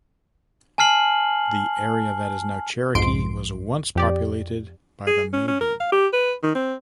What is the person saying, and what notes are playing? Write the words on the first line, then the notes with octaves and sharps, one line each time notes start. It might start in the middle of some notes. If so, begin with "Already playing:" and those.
The area that is now Cherokee was once populated by the Maidu.
G#5 A5 F6 C7 F#7
B1 F2 G#2 C6 D7
F2 G4 D5
G#4
C#4
C#4
A#4
F5
G4
B4
D#3
C4